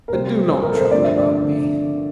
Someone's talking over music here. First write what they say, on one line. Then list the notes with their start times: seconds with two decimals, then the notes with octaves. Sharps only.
But do not trouble about me.
0.08 A#4
0.13 C3 G3 A#3 C5
0.52 C5
0.62 A#4
0.72 A4
0.81 C5
0.91 G2 D3 F3 A3 D5
1.04 E5
1.18 D5